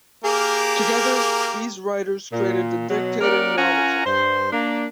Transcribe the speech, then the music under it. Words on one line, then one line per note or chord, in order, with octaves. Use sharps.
Together, these writers created the Dictator novel genre.
A#3 G4 G#4 A#4
A#2
B2 F#3
A#3 C#4 G4 A#4 D5 F#5
C#4 F4 A#4 F#5 G#5 A#5
G2 C5
A#3 D4